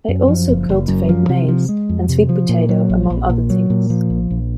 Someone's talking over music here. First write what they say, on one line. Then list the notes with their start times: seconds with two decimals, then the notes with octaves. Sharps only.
They also cultivate maize, and sweet potato among other things.
0.08 F#2
0.28 F3
0.48 F#1
0.69 F#1
0.88 F#2
1.09 F3
1.29 C3
1.48 F3
1.69 G#3
1.89 F2
2.09 C3
2.29 F3
2.49 A#2
2.69 F#3
2.90 A#1
3.10 A#1
3.29 A#2
3.50 F#3
3.70 A#2
3.90 F3
4.10 A#1
4.30 A#1